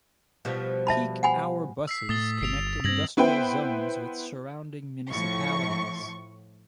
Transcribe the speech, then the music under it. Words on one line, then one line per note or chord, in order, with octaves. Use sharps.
Peak hour buses connect industrial zones with surrounding municipalities.
B2 F3 G3
E5 A5 B5
F#5 G#5 B5
E6 B6 C7
A2 D#6 A6 G7
G1 C7 D7 F7
G2 C4 G#6 A#6 F#7
B3 E4 B4 C5 G5
A2 F3 C#6